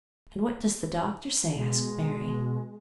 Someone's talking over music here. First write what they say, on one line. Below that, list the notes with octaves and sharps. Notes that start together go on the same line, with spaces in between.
"And what does the doctor say?" asked Mary.
B2 G#3